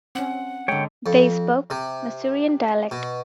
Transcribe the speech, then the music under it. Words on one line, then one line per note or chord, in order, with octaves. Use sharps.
They spoke Masurian dialect.
C4 C#4 F#5
G#2 D3 C#5 G5
F2
C3
B2